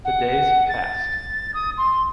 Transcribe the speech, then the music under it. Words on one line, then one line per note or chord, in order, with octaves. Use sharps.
The days passed.
F#5
A6
D#6
C6